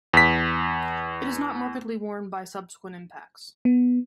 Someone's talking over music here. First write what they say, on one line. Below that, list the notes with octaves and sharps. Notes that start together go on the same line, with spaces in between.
It is not markedly worn by subsequent impacts.
E2 B6
B3